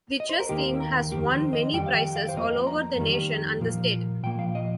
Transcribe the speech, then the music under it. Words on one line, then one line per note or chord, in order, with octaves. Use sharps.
The Chess Team has won many prizes all over the nation and the state.
D#5
C5
A#4
D#2 D#3 A#3 G4
A#4
F2 D#3 A#3 G4
C5
D#5
F2 D#3 G3 G5
F5
G5
F5
C5
F2 F3 A#3 D#5
A#5
F2 D#3 G3 A#3
A#2 F3 A#3
A#2 F3 A#3 G5
F5
D#5